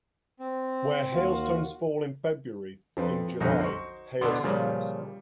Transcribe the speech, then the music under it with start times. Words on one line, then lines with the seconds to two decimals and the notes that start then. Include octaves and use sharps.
Where hailstones fall in February, in July, hailstorms.
0.40 C4
1.13 D#2 F4 F#4
2.97 F2 F3 C4 B4
3.40 B1 F2 D3 D#4 F#4
3.60 C5 C#6
4.21 B2 D3 B3 C6 D6
4.44 A#2 C#3 F3 G3